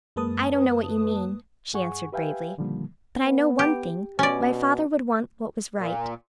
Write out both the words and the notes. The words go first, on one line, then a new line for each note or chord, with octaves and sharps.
"I don't know what you mean," she answered bravely, "but I know one thing: my father would want what was right."
F#2 G#3 A#3 B4 A5 D#6
G2 G#4 F#5 G#5 C#6
G4 B4 E5 F5 G5 G#5
A#2 D3 D#3 F3 G3 A#3
B3
G4
B2 C#4 D5
A#2